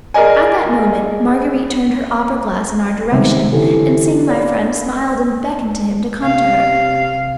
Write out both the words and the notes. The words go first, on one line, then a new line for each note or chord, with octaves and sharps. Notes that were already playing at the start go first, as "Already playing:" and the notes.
At that moment Marguerite turned her opera-glass in our direction and, seeing my friend, smiled and beckoned to him to come to her.
G#4 A#4 D5 D#5 G#5
C3 D#3 G3 G#3 B3
D3 E3 C#4 G4 A4
C#5 D5 B5
C3 F5